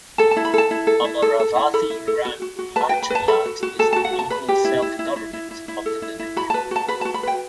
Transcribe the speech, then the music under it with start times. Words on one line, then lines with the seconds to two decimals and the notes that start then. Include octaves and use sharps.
Amaravathi gram panchayat is the local self-government of the village.
0.18 A4 A5
0.31 A5
0.37 E4
0.45 B5
0.54 A4 A5
0.71 E4
0.87 A4
1.04 E4
1.22 A4
1.40 A4
1.56 E4
1.74 A4 B5
1.90 E4
2.08 A4
2.25 F#4
2.42 F#4
2.59 F#4
2.76 B4 A5
2.89 B4 G5
3.02 B5
3.10 B4 A5
3.28 A4 B5
3.46 F#4
3.63 F#4
3.79 A4 A5
3.93 F#4 A5
4.05 F#5
4.13 F#4
4.19 A5
4.30 B4 B5
4.48 G4
4.65 E4
4.82 E4
4.99 E4
5.16 E4
5.33 E4
5.51 E4
5.68 E4
5.86 A4
6.02 E4
6.19 E4
6.36 F#4 B5
6.50 B4 A5
6.71 F#4 A5
6.88 B4 B5
7.01 F#4 A5
7.14 B5
7.23 B4 G5